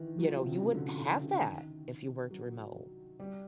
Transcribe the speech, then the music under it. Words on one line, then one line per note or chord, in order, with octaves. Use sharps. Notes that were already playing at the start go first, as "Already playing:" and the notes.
y you know, you wouldn't have that if you worked remote,
Already playing: D#3 E3
F#3
F3
C3
C#3
D3
C#3
D3
C#3
D#3
F#3
G3